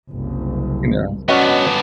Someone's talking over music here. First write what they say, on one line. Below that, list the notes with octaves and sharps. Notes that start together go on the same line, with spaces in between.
you know?
F#1 C2
B3 C#4 D4 F#4 D#5